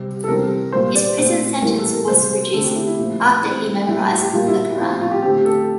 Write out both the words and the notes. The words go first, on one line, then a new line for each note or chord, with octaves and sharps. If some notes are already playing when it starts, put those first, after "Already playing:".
His prison sentence was reduced after he memorized the Qur'an.
Already playing: C3 G3 C4
A4
C3 E3 G3 C4 A#4
A#2 G3 A#3 C5
D5
A#2 A3 C4 C5
A2 E3 G3 A#3 A#4
A4
A#4
C3 G3 A#3 C5
C5
D3 A3 C4 A4
G4
E4
E4
A#2 F3 A3 C4
E3 A3 C4
A2 G3 A#3 E4
G4
A#2 G3 A#3 F4
E4
A2 F3 C4 F4
F4
G4
D3 A3 C4 G4
A4